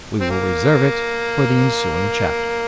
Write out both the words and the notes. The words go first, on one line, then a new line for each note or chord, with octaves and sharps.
We will reserve it for the ensuing chapter.
C4
A#3